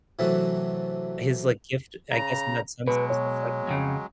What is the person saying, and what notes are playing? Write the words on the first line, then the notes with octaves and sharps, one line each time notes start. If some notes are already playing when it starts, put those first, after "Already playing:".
his, like, gift I guess in that sense was the fact that he
C3 E3 F#3 A3 A4
C#3 A#5
B2 F#3 G#3 B4
C#5
F2 A#2 C#3